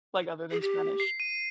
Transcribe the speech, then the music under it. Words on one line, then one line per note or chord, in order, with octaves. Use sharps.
Like other than Spanish?
G#4
G4
C7
D#7